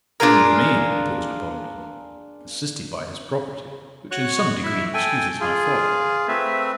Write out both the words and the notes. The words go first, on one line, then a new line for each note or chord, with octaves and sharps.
Even Romayne imposed upon me--assisted by his property, which in some degree excuses my folly.
D4 F4 G#4 A#4
F#4 C#5 C#6 F#6
E4 E5
A4 G5 G#5
F4 G#4
A3 C4 B4 E5